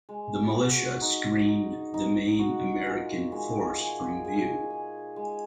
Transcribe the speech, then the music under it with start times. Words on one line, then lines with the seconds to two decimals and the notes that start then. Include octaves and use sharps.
The militia screened the main American force from view.
0.09 G#3
0.55 F#4
1.02 D#4
1.48 D#4
1.94 D#4
2.39 F#4
2.86 A#2
3.32 G#3
3.79 G#4
4.25 G#4
4.70 G#4
5.16 G#3